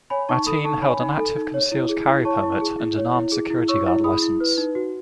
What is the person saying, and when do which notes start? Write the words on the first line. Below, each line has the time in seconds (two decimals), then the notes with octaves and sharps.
Mateen held an active concealed carry permit and an armed security guard licence.
0.10 C#5 G#5 B5
0.29 D#4 A5 C#6
0.46 A4 B5 D#6
0.64 D#4 A5 C#6
0.82 C#5 G#5 B5
1.00 D#4
1.18 A4
1.36 D#4
1.54 C#5
1.72 E4
1.89 G#4
2.08 E4
2.25 C#5 A5 C#6
2.43 E4
2.61 G#4
2.79 E4
2.97 C#5
3.15 E4
3.32 G#4
3.50 E4
3.68 C#5 C#6 E6
3.87 E4
4.04 G#4 B5 D#6
4.22 E4
4.40 B4
4.58 D#4
4.75 F#4